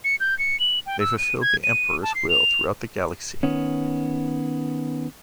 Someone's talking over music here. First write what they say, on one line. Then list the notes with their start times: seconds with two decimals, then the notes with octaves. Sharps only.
They fulfilled the Emperor's will throughout the galaxy.
0.04 C#7
0.20 G6
0.39 C#7
0.60 F#7
0.86 G5
1.00 E6
1.18 D#7
1.41 G#6
1.63 D#7
2.03 A5
2.15 C7
2.29 F7
3.43 D#3 B3 C#4